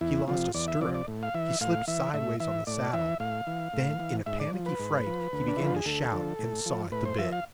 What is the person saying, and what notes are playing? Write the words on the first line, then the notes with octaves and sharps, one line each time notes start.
He lost a stirrup, he slipped sidewise on the saddle; then in a panicky fright he began to shout and saw at the bit.
E2 E4
C3 F3 F4
E2 D5
E5
C3 F3 D5
D5
A2
F5
E3 E5
A2 F5
E3 E5
A2 E5
E3 E5
A2 D5
E3 E5
A2 F5
E3
A2
E3
G#2 E5
D5
F3
B4
G#2
F3
D2
D4
D3 F3 E4
F4
G#4
D2 A4
D3 F3
A2
F3
A2 B4
C5
F3 E5
F5